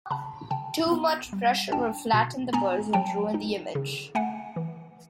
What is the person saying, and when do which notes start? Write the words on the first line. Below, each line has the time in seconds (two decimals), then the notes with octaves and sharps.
Too much pressure will flatten the burrs and ruin the image.
0.11 C#3 A5 B5
0.51 C#3 G5 A5
0.92 B3
1.33 G3
1.72 D4 G5 A5
2.13 B2
2.53 B3 G#5 A#5
2.93 F#3 G5 A5
3.34 D#4
3.75 C#3
4.15 A3 F#5 G#5
4.56 E3